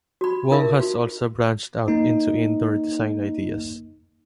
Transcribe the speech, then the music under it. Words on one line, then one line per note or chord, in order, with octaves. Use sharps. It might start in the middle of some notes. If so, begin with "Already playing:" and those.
Wong has also branched out into indoor design ideas.
F#4 B5
D#4 F4 A#4 E5 F5
F4 F#4
A#3 D#4